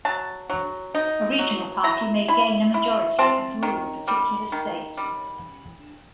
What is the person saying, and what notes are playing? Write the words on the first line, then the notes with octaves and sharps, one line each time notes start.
A regional party may gain a majority and rule a particular state.
F#3 A5
F#3
D#4
F#3
E4 A#5
E4 B5
E4
C4 A5
D#3
G3
D#3
G3